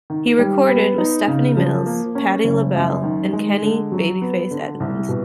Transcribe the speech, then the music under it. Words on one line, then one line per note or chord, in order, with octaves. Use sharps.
He recorded with Stephanie Mills, Patti LaBelle, and Kenny "Babyface" Edmonds.
D#3
G3
B3
D#4
C#3
F3
A#3
C#4
F#1
F#2
D#3
G#3
D3
F#3
B3
D3
C2
B2